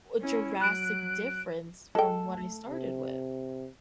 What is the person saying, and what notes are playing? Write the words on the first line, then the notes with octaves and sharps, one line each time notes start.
a drastic difference from what I started with."
C#4 E4
F#3 F#6 D7
G#3 A4 G5
A3
C3